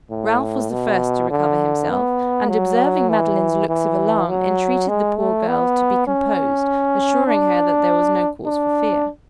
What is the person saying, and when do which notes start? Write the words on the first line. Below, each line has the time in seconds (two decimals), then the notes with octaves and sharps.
Ralph was the first to recover himself, and observing Madeline's looks of alarm, entreated the poor girl to be composed, assuring her that there was no cause for fear.
0.11 A2
0.70 B2
1.30 D3
1.90 B3
2.49 F#3
3.09 E3
3.69 E3
4.29 F#3
4.89 G#3
5.18 A3
5.48 B3
6.07 C#4
7.27 D4
8.46 D4